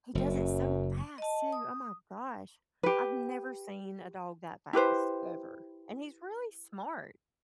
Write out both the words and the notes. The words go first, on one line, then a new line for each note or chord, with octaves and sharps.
He does it so fast too, oh my gosh. I've never seen a dog that fast, ever, and he's really smart.
F#1 F#2
D#5 A5
D#6
G4 B4
E4 G4 B4 C5